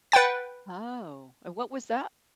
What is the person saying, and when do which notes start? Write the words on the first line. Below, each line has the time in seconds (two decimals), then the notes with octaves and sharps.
Oh, and what was that
0.12 B4 F#5 G5 A6